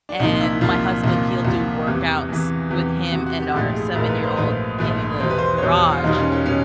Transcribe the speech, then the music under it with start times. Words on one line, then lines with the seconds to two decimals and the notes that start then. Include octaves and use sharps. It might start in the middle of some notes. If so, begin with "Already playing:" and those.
and my husband, he'll do workouts with him and our seven-year-old in the garage,
0.09 D4
0.20 C2 A#2 F3 D#4
0.41 E4
0.61 C2 A#2 F3 F4
1.04 C2 A#2 F3
1.45 C2 A#2 F3 F#4
1.87 E2 C3 E3
2.29 E2 C3 E3
2.70 E2 C3 E3 G4
3.12 E2 C3 E3 F#4
3.26 F#4
3.40 G4
3.54 A#1 G#2 F3 A3 G4
3.75 G#4
3.95 A#1 G#2 F3 A3 A#4
4.09 B4
4.23 C5
4.37 A#1 G#2 F3 A3 B4
4.79 A#1 G#2 F3 A3
5.20 E2 B2 G3 C5
5.30 B4
5.38 C5
5.58 C#5
5.62 E2 B2 G3 C5
5.76 F#4
5.90 F4
6.04 E2 B2 G3 D#4
6.18 C#4
6.32 C#4
6.46 B2 G3 C#4